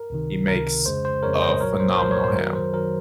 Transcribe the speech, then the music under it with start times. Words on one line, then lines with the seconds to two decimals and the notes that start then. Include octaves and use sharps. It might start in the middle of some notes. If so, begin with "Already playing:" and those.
he makes a phenomenal ham,
Already playing: A#4
0.10 C#2 C3 D#3
0.48 C#2 C3 D#3 A#4
0.86 F2 C#3 G#3 C5
1.05 C5
1.23 F2 C#3 G#3 A#4 C#5
1.42 C5 D#5
1.61 C2 A#2 F#3 A#4 C#5
1.80 C5
1.95 A#4
1.98 C2 A#2 F#3 C5
2.11 A#4 C#5
2.24 C5
2.36 F#2 D#3 F#3 A#4
2.55 C5
2.74 D#3 F#3 A#4